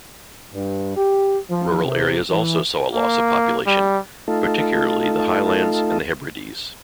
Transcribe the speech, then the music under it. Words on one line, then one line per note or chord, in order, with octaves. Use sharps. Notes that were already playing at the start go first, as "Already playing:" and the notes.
Rural areas also saw a loss of population, particularly the Highlands and Hebrides.
G2
G4
F3
C3
E3
A#3
G3
A3 D#4 F4 A4